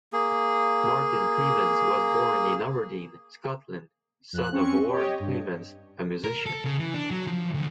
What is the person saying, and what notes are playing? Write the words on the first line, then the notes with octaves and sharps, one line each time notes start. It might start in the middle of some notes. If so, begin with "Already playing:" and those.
Martin Clemens was born in Aberdeen, Scotland, son of Warren Clemens, a musician.
A#3 G#4
F2 F#6
C4 C#4 C#6 C#7
G4 C#5 D#5
G2
A#4
A4
C#3
E3
D4
F#3
F3
D2